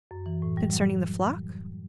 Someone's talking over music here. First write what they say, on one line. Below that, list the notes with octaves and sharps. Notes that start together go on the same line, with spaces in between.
Concerning the flock?
F#2
E3
A2
G3
F#3